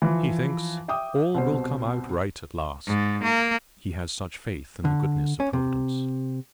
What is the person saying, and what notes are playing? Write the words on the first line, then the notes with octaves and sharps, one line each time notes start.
He thinks "all will come out right at last;" he has such faith in the goodness of Providence.
E3 F3
E5 G5 D6 D#6
C2 B2 C5
G#2
A#3
D3
C#4
C3